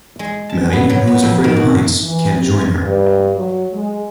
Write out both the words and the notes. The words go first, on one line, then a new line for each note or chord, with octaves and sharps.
Maddie, who is afraid of heights, can't join her.
G#3
A5
B3
F#3
B3
F2
D#3
F#4
E3
C3
G2
F#3
G#3